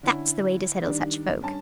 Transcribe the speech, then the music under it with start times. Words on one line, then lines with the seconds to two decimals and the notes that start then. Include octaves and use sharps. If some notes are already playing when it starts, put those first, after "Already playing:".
"That's the way to settle such folk!"
0.03 D3 C#4 E4
0.85 D#3 G3 D4
1.41 G2 C#4 A5